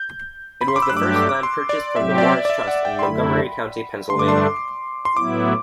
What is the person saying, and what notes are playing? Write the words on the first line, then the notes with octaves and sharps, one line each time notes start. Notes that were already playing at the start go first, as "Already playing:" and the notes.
It was the first land purchased from the Morris Trust in Montgomery County, Pennsylvania.
Already playing: G6
B5
C6
D6
E6
G2 F#3 A3 D4 G4 F#6
D6
E6
D6
D6
C6
D5
C3 F#3 C4 G4 E5
D5
E5
D5
E5
F#5
G5
C6
F#2 D3 A3 E4 B5
G2 D3 A3 D4 C6
D6
C6
C6
A2 F#3 B3 E4 D6